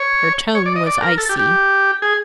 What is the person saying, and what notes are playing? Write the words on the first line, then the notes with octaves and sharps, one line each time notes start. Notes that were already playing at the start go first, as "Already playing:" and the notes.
Her tone was icy.
Already playing: C#5
C#5
D5
D#5
D5
A#4
A4
G4
G4
G#4